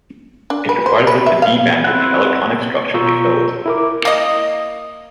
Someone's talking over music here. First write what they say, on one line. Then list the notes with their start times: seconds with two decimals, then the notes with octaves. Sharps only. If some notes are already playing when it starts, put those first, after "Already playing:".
It requires that the d bands of the electronic structure be filled.
0.50 D4
0.69 B4
0.86 C5
1.07 B4
1.26 E5
1.42 F5
1.84 C4 E4 F#5
2.94 B2 F4 A#5 C#6 E6 G6
3.66 E4 A#4 D6
4.05 A#3 D#5